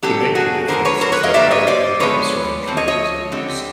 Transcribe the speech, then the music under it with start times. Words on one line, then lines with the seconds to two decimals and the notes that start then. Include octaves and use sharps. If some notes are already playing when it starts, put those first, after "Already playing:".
The major difference is that higher impulse range motors are used.
0.02 B2 F#3 A#3 C#4 G4 A4
0.35 F#4 G#4
0.68 D3 F3 G#3 A#4 C5
0.85 B4 C#5
1.01 A#4 C5
1.12 B4 C#5
1.23 D#5 F5
1.34 D3 G3 A#3 D5 E5
1.51 C#5 D#5
1.67 C5 D5
2.00 D3 F3 G#3 B3 B4 C#5
2.66 A#2 F3 A3 C4
2.77 C#5 D#5
2.88 C#5 D#5
3.32 D3 G3 C4